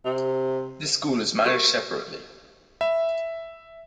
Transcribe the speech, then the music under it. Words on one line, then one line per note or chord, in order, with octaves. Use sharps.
This school is managed separately.
C3
F#4 G4 A#4
E5 B5